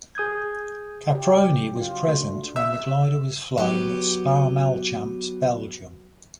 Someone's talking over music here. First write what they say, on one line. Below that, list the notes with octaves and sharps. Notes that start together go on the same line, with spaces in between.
Caproni was present when the glider was flown at Spa-Malchamps, Belgium.
G#4 D#6 G6 G#6
G4
C#3
F#3
F4
F#4
A3
D4
E5
F#3 B3 G4